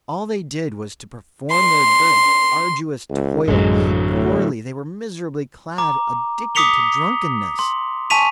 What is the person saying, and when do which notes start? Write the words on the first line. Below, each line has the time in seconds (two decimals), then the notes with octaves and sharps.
All they did was to perform their dirty, arduous toil, eat poorly; they were miserably clad, addicted to drunkenness.
1.49 C6
3.10 C#2
3.48 A1 F#2 D3 F#3 G#3
4.12 A2
5.78 A#5 D6
6.55 D6 D#6 B6 C#7 F7 G7
7.59 C6
8.10 G#5 A5 C#6 B6 D#7 F7